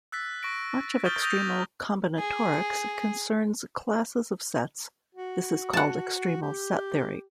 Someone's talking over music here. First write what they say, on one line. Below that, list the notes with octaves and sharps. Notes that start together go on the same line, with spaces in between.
Much of extremal combinatorics concerns classes of sets; this is called extremal set theory.
E6 F#6 A6 B6
C#6 A#6 D7
C#6 D#6 F6 G6 A6 G7
D#6 G6 A6 A#6 D#7 F7
G#4
F#4
F#5 A5
G4